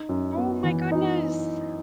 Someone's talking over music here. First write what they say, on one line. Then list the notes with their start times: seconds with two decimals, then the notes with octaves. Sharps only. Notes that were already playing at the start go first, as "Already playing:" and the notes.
Oh my goodness,
Already playing: D#4
0.09 F#2
0.37 B3
0.64 E3
0.92 D#4